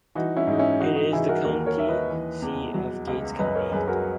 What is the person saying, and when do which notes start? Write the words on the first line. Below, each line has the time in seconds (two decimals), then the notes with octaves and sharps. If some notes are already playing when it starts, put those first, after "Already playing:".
It is the county seat of Gates County.
0.15 E3 D#4 F#4
0.36 C#4 E4
0.47 G#2 D#4
0.58 C#4 E4
0.80 E3 D#4 F#4
0.96 D#4 F#4
1.13 E3 E4 G#4
1.29 F#4 A#4
1.45 D#2 F#4 A#4
1.66 A#4 C#5
1.77 D#2 E5
1.88 B4 D#5
2.10 E3
2.42 E2
2.74 F#3
3.07 C#2
3.39 F#2 B4 D#5
3.55 A#4 C#5
3.72 F#2 G#4 B4
3.87 F#4 A#4